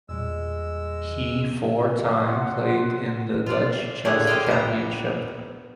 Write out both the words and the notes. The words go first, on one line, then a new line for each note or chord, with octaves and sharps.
He four time played in the Dutch Chess Championship.
E2 A#2 G3 G#3 E6
F#5 C6
F4 D5
A#2 D3 G4 G#4 C#5 F#5
G4 C5 D#5 F5 G5
B3 A#5